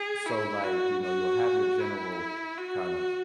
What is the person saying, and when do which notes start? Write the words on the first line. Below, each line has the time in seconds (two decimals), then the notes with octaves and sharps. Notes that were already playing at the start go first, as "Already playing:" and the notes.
So, like, you know, you'll have your general kind of
Already playing: G#4
0.26 E4
0.64 F#4
1.03 F#4
1.81 E4
2.58 F#4